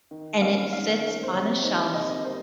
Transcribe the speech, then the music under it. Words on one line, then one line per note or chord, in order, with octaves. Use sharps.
and it sits on a shelf
D#3
A#3 C#4 F5
D#3 F5
A#3 C#4
C5
C3 C#5
D#3 G3 A#3 D#4 C5
C3 D#5
D#5
D#3 G3 A#3 D#4 C5